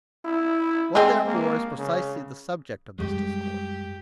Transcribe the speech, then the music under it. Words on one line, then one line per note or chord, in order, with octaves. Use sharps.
What therefore is precisely the subject of this discourse?
E4
G#3 C4
A#3
C#3
F#2 G3 G#3 G4